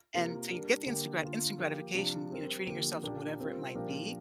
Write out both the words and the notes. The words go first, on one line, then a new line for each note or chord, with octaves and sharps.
And so you get the instant grat instant gratification, you know, treating yourself to whatever it might be,
C3 A#3 F4 A#4
G3 D4 A#4
D3 A#3 G4 A#4
D3 A#3 F4
F3 A#3 G4 A#4
C3 F3 D4
G3 C4 G4 A#4
D3 F3 A#3 G4 A#4
A#2 A#3 D4 G4
G3 C4 F4 A#4
A#2 F3 D4 G4 A#4